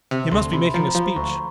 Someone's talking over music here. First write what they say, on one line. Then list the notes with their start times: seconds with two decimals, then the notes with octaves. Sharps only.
He must be making a speech.
0.11 C3
0.32 D2 C6
0.53 C3 B5
0.74 F3 A#5
0.95 F3
1.16 D2 C#6